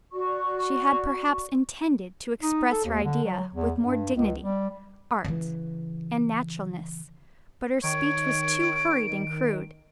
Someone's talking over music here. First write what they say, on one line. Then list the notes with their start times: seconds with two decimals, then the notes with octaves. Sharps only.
She had perhaps intended to express her idea with more dignity, art and naturalness, but her speech was too hurried and crude.
0.13 F#4 D5 C#6
2.42 D#4
2.71 A4
2.85 D#2
3.04 D3
3.25 F#3
3.55 E2
3.80 G2
4.15 C#2
4.41 G3
5.24 C#3 E3
7.84 D#3 C#5 D7